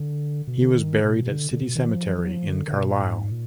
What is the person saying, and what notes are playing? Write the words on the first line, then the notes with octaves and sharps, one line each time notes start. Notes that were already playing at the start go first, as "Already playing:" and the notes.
He was buried at City Cemetery in Carlisle.
Already playing: D3
B2
D3
D#3
B2
D3
D3
B2
D#3
F3
F3
F#3
F3
D3
D3
B2
A#2
G#2
A#2